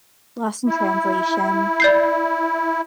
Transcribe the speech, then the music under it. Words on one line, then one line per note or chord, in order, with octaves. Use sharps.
Lost In Translation.
E4
D5 G6 C7